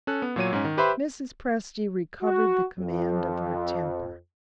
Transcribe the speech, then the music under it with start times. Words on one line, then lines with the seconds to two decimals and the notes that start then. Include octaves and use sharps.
Mrs. Presty recovered the command of her temper.
0.07 C#4 A4 F#6
0.22 B3
0.36 A#2 F#3 C#5 D#7
0.53 G#2 C#4
0.65 D#3
0.77 G4 B4 C5 E5 B5 C6
2.22 F#4
2.79 F2